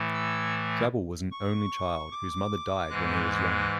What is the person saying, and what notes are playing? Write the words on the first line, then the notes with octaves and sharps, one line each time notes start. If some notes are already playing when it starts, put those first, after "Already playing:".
Drabble was an only child, whose mother died when he was young.
Already playing: A2 E3 A3
E6
C#6
D6
G#2 E3 G#3 F#6